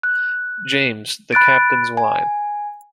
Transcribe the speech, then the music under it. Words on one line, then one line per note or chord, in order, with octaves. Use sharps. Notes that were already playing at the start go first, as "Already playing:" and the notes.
James, the Captain's wine!
F#6
B5 F#6 A6 D7
G#5